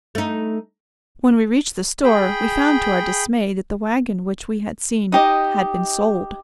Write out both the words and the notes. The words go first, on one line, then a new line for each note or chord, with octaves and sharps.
When we reached the store, we found to our dismay that the wagon which we had seen had been sold.
A3 D#4
G#4 G5 B5
D#4 G4 D#5